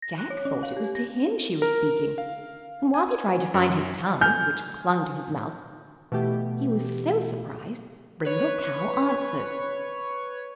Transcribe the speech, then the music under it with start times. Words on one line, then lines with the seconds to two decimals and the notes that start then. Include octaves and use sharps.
Jack thought it was to him she was speaking, and while he tried to find his tongue, which clung to his mouth, he was so surprised, Brindle Cow answered.
0.02 A#6
0.18 F#6
0.30 C#5
0.45 C#4
0.63 F5
0.77 G4
0.95 A#6
1.62 A#4
2.18 F5
2.94 G#5
3.54 F#2
4.21 G#5 F6 G6
6.12 B2 E3 A3 G4
8.25 B4 C#5